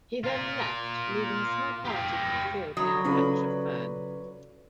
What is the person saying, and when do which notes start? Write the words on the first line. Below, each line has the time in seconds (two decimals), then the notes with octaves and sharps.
He then left, leaving a small party concealed near a patch of fern.
0.24 F4 A#4
1.85 G4 F5
2.77 F#3 B5 D#6
3.05 C#3 C#4 E4 F4 A4 B4 D5